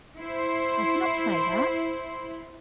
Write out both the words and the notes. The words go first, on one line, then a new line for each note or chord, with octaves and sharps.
"I did not say that."
E4 C5